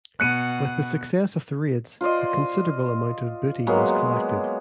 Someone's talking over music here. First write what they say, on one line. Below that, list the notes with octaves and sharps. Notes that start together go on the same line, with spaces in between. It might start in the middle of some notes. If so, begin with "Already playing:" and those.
With the success of the raids, a considerable amount of booty was collected.
B2 F#5 F#6 C#7 D#7
F4 C5 D5 D#5
F#3 G#3 A#3 B3